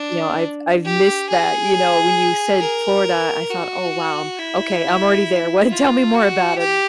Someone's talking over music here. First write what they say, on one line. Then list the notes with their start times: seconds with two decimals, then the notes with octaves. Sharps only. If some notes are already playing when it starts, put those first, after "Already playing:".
you know, I've I've missed that, you know, when you said Florida, I thought, "Oh, wow, okay, I'm already there, what tell me more about it,
Already playing: D4
0.85 G4
1.29 G#4
2.61 A#4
3.50 F#4
4.38 E4
5.70 F4
6.14 F#4
6.58 G4